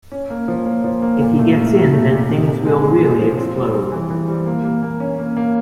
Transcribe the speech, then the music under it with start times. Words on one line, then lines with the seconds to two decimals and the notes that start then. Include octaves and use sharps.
If he gets in, then things will really explode.
0.12 C#4
0.30 A#3
0.48 F3
0.66 A#3
0.84 F3
1.02 A#3
1.20 A#2
1.39 A3
1.56 A3
1.75 A3
1.93 A3
2.11 A#2
2.29 C3
2.47 C3
2.65 G#3
2.83 G#3
3.02 C3
3.19 F3
3.38 C4
3.55 G3
3.74 G3
3.92 E3
4.10 E3
4.28 G3
4.46 A#3
4.64 A#3
4.83 A#3
5.00 C#4
5.19 A#3
5.37 A#3